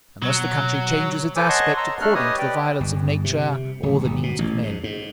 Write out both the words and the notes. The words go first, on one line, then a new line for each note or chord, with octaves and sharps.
And thus the country changes its aspect according to the violence of nature or the needs of men.
B2 F#3
A4 B4 C5 G#5 D6
C#5 D#5 F#5 A5 C6 C#6
A#5 C6 E6
A3 D4 A4 F6 F#6
G4 B4 C#5 D#5 D#6
G4 B4 D5 G5
G1
C3
D1
G1
B2
A1
G#2
G#2